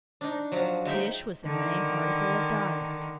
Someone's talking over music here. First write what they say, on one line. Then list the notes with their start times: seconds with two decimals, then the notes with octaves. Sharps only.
Fish was their main article of diet.
0.21 D4 D#4
0.52 F3 F#3
0.85 G#3 D#4 E5 G5
1.44 D3 D#3